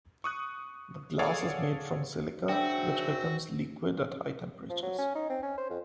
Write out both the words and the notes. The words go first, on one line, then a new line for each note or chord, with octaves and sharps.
The glass is made from silica, which becomes liquid at high temperatures.
C#6 D#6 F#6
G#4 A4 C#5 D5 F5 F#5
C#3 C4 D4 F#4 E5 G5
F3
F#3
C#4
D#4
C4
C#4
C5
F2